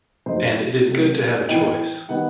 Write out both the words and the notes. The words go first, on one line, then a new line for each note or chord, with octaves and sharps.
And it is good to have a choice.
F#2 F#3 A3 D#4 C5
C3 F#3 A3
A2 E3 B3 D#4 G5
D#3 G3 B3 D#4 F#5